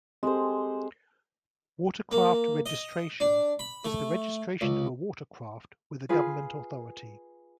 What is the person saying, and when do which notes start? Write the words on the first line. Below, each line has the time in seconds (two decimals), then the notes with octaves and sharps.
Watercraft registration is the registration of a watercraft with a government authority.
0.23 G#3 C4 G4 A4 C5
2.11 A#3
2.66 D#5
3.20 D4
3.59 B5
3.85 A3
4.61 C#2
6.09 F4 G#4 B4